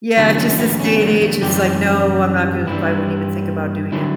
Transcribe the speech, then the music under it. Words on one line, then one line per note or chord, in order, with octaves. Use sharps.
Yeah, it's just this day and age, it's, like, no, I'm not gonna, I wouldn't even think about doing it.
E2 D3 F#3 A3 F#4
C#4
C#4
B3
C#4
A3
A3
F#2 E3 G3 G4
G2 E3 G3 E4
D3 F#3 E4